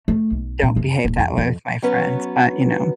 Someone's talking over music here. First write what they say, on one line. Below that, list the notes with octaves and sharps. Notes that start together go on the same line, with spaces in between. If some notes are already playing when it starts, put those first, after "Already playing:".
don't behave that way with my friends, but, you know.
A3
B1
A#2
F#2
D#1
F2
F2
F#3 B3 C#4 B4